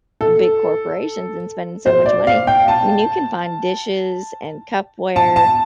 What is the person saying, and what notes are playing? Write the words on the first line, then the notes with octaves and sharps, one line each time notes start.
big corporations and spending so much money I mean, you can find dishes and cupware
A4
C5
D5
F5
G5
A5
A5
A5